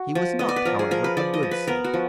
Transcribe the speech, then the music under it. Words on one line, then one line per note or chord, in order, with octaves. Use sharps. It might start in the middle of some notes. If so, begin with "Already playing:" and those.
He was not, however, a good sleeper.
Already playing: F#4
F3
B3 D#5
D5
B4
F3 A#4
G#4
F3 A#4
B4
F3 D5
D#5
F3
B4
B3 A#4
F#4
F3